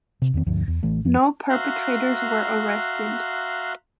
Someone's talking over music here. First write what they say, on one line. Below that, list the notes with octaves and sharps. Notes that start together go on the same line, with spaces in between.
No perpetrators were arrested.
C3
E2 D#3 C4
D#1 D2 G2 F3
E2
A1 E3 A3
F2 F3
F#4 E5 F5 A#5 C6 F#6